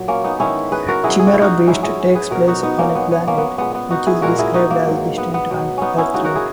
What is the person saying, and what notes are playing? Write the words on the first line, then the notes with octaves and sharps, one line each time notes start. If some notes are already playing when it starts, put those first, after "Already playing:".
Chimera Beast takes place on a planet which is described as distant and Earth-like.
Already playing: A#2 F#3
A#3 C#4
B3 D#4
G#2 D#3 G#3 C#4 E4
G#4 B4
F#4 A#4
B2 F#3 E4 G#4
G#4
F#4
E4
D#4 F#4
G#2 F#3 C#4 E4
E4 G#4
G#4 B4
B2 F#3 F#4 A#4
D#4 F#4
B3 D#4
A#3 C#4
B2 F#3 B3
B3
A#3 C#4
B3
A#2 G#3 B3
B3
D#4 F#4
E4 G#4
A#2 G#3 F#4 A#4
E4 G#4
D#4 F#4
A#3
G#2 F#3
B3
B3
B2 F#3
B3 C#4 D#4
C#4 E4
C#3 F#3 D#4 F#4
F#4 A#4
E4 G#4